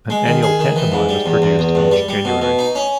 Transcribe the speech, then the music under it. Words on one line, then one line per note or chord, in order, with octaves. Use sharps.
An annual pantomime is produced each January.
G#3
D#3
G#4
D#3
E3
G#2
G3
E2
E2
E2
G2
G3
G3
B2
B2
D#4
C#4